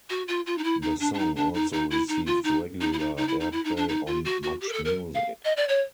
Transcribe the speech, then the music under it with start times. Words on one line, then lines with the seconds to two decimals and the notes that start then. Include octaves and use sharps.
The song also received regular airplay on MuchMusic.
0.09 F#4
0.28 F4
0.46 F4
0.58 D#4
0.64 E4
0.82 D#4
1.00 D4
1.13 D4
1.18 D#4
1.36 D4
1.54 D#4
1.72 D#4
1.90 E4
2.08 D#4
2.26 F4
2.44 D#4
2.80 D#4
2.93 E4
2.98 D#4
3.17 D#4
3.28 E4
3.40 D#4
3.52 E4
3.64 D#4
3.76 D4
3.88 D#4
4.06 F4
4.24 F#4
4.42 F#4
4.60 G4
4.68 A#4
4.72 A4
4.85 A#4
5.14 F5
5.45 D#5
5.56 D5
5.68 C#5